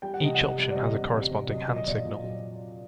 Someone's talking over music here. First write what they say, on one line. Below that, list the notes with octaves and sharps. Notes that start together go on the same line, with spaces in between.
Each option has a corresponding hand signal.
G3 G5
F#5
C3 D#5
G3 F#5
G3
D5
C3 D#5
C3
C3
C3
F#3 D#5
F#3
D#5
A#2 D5
A#2
F#3